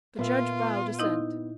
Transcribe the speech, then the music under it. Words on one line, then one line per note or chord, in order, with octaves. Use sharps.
The Judge bowed assent.
A#2 B3 F4 E5
D#4 E4 D#5 G6